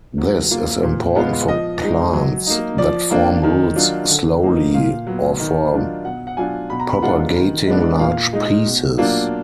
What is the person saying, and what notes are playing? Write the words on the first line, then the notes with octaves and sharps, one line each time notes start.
This is important for plants that form roots slowly, or for propagating large pieces.
F#3
A#3 F4
A#2
G#3 B3 F4
F3 D#5
G#3 D#4
F#3
A#3 D#4
F3 D5
A#3 D4 F4
D#3
F#3 D4 F4
D3
F3 A#3 D#4
A#2 F5
F#3 B3
D#3
F#3 D4 F4
B2 F#5
F#5
F#3 D4 F4 G#5
B2 B5
A#5
B5
G#3 D4 F4 F#5
D#3
G#3 B3 D4
A#2 F5
G#3 D#4
B2
F#3 A#3 D4 F4